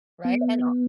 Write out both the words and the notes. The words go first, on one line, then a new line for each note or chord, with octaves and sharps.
Right, and hon
B3